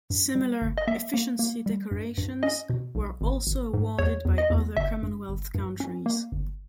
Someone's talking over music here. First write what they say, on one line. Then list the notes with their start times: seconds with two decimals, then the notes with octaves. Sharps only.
Similar Efficiency Decorations were also awarded by other Commonwealth countries.
0.10 G2
0.35 G3
0.62 G1
0.78 D#5
0.87 A#3 E5
1.14 A#3
1.39 A#3
1.66 G3
1.91 G2
2.18 G2
2.43 C#4 D#5
2.70 B2
2.95 B1
3.21 G#1
3.47 G#1
3.74 G#2
3.99 E2 C#5
4.25 E2
4.38 D#5
4.50 E2
4.77 G1 E5
5.03 G2
5.29 G1
5.55 G2
5.80 C#4
6.06 A#3
6.32 G1